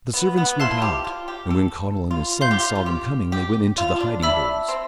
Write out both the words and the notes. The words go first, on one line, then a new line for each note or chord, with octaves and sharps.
The servants went out, and when Conall and his sons saw them coming they went into the hiding holes.
B3
B3
E4 F5 A5 C6 F6
G4
F4
G4
A4
F4
F4 F5 C6 G6
G4
F4
F4
G4
G4
F4
D4
D4 E5 B5 E6
C4